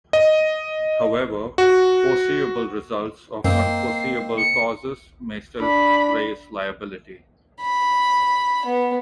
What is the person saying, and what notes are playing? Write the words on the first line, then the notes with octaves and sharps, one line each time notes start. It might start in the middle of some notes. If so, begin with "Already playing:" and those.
However, foreseeable results of unforeseeable causes may still raise liability.
D#5
F#4
F#2 A#3 C4 D#4 C7
C#7
D4 B5
B5
B3